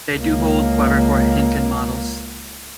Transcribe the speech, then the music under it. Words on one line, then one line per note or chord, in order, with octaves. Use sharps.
They do hold however for Henkin models.
C#2 A#3